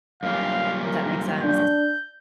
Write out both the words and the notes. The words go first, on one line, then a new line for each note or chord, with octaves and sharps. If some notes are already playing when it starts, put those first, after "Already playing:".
Does that make sense?
F#2 A#2 G3 F5
A#4
D4 G6